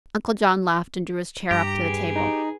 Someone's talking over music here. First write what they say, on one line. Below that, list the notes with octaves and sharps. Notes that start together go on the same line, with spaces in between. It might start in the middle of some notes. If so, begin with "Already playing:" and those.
Uncle John laughed and drew his chair up to the table.
G2 G4 A#5
G#4 B4
D#4 A#5